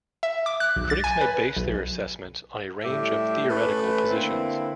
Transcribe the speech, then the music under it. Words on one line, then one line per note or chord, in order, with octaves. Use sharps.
Critics may base their assessment on a range of theoretical positions.
E5
D6
F#6
B1
A6
G#5
B4
B1
A2 G3 G4 E5
A3 C#4 B4
D3 A#3 C4 E4